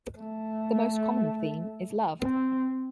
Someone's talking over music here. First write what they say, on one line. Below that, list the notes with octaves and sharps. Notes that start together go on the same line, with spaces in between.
The most common theme is love.
A3
C4